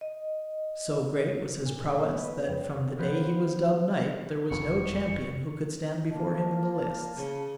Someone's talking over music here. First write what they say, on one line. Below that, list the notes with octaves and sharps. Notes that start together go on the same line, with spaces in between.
So great was his prowess that from the day he was dubbed knight there was no champion who could stand before him in the lists.
D#5
A#2
B3
B4
F2
D#3 F3 B3 C5
F#1 F2 F3 C#6
A#3 A5
C#3